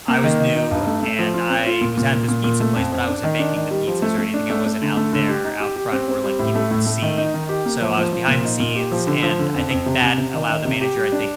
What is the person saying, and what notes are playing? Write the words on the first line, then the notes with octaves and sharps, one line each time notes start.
I was new and I was at this pizza place, but I wasn't making the pizzas or anything; I wasn't out there, out front, where, like, people could see, so I was behind the scenes and, I think, that allowed the manager, I think,
A#3
D#3
D#4
D#4
G2
A3
A3
F3
F4
C4
F4
A#2
A#2
A#2
A#2
A#2
A3
F2
F2
D4
D#3
D4
D#3
G3
F3
A3
A3
D4
A3
A3
D3
A3
D3
G4
D#4
G4
G4
C4
C4
G3
A2
A3
A2
A3
D#3
D#4
D#3
G4
A#3
F3
F3
F3
A#2
D#4
A#2
G4
F3
D3
F3
D3
F2
F2
C3
C3
C3
D#3
D#3
C3
G4
G3
D4